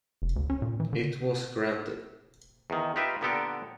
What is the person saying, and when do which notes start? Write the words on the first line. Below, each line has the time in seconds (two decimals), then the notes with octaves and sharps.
It was granted.
0.22 F1
0.36 D2
0.50 C#4
0.62 A#2
0.80 E3
0.93 D3
2.70 E2 D#3
2.96 D#4 F4 G4 B4 E5
3.21 A#2 D3 B3 G4 A4 A#4